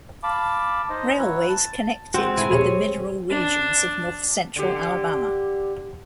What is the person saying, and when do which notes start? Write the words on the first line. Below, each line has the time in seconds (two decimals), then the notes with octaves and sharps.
Railways connect it with the mineral regions of north-central Alabama.
0.23 F5 A5 B5 D6
0.90 D#4 C5 D#5
1.18 F#3 E4 B4 C#5
1.49 A5
2.14 G#3 C4 F#4
2.37 E4 B4 G#5
2.51 F2 C3 G#4 C#5
3.30 D4
4.56 D3 G4